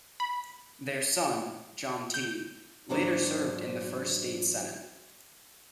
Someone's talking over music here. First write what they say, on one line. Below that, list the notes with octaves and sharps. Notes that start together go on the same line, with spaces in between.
Their son, John T., later served in the first state Senate.
B5
G6
E2 G#2 F#3 D4 C5